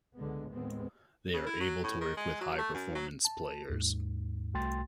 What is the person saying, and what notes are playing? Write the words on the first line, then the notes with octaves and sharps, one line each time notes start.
They are able to work with high performance players.
C#2 D3 G#3 B3
D#2 A2 G#3 B3 C4
C#3
E4
F#3
A2
D#3
G#3
F#3
A3
F#2
F#3
A5
D#2 G#2
C2 A3 F#4 G5 C6 A6